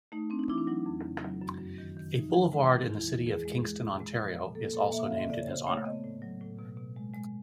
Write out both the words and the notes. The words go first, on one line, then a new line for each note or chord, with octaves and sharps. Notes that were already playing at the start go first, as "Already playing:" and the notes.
A boulevard in the city of Kingston, Ontario, is also named in his honour.
A3 D#4
C4 D4
D#4
E3 E4
D4
F#3 D#4
F2
C#3
F#3
F#2
F#2
D#3
D#3
E3 D#4
E3
G#3
A2
E2 E4
E3
E2 G#4
G#3
G#3
A#2
G#3
F3
A#2
A#3 A4
A#2 A4
D#5
A#3 E5
F5
C#3 E5
D#5
C#3 D5
C#5
C#3 C5
A3 C#5
B3 D#5
A2
F#3
A2
B2
B2
G#3
G#3